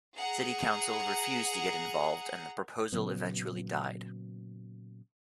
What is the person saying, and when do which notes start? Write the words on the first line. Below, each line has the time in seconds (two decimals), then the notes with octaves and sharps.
City council refused to get involved and the proposal eventually died.
0.15 G#4 F#5 A#5
2.92 A#2 C#3 F#3 B3